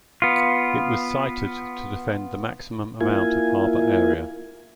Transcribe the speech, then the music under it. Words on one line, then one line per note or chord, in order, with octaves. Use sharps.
It was sited to defend the maximum amount of harbor area.
B3 F4
A#3 E4 F4 G#5